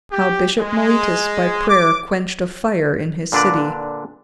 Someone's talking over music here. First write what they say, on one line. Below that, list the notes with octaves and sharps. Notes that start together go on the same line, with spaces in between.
How Bishop Mellitus by prayer quenched a fire in his city.
G4
G#3
D6
A#2 D3 D4 B4 D5